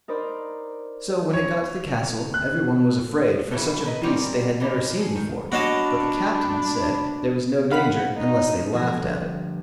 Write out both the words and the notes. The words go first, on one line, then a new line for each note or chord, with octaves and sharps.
So when it got to the castle every one was afraid, for such a beast they had never seen before; but the captain said there was no danger unless they laughed at it.
D#4 A#4 C5 D5 B5
C#5
F#6
C#3 E3 F#3 E4 A4
A#4 B4 D#5
G3 C4 C#4 F#4 A#4 D5
E3 G3 D#4
G#4 A4
D#3
A#3 D4 F#4 C#5 D#5 F#5 A5 B5
F5 F#5 B5 B6
D#4
A1 D3 F3 G3 G#6 A#6